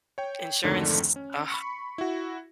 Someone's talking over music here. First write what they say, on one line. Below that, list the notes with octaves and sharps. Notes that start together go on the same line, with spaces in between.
insurance, ugh.
C#5 G5
F2 G#2 D3 D#3 A3
C#4
B5 C#6 C#7
E4 F#4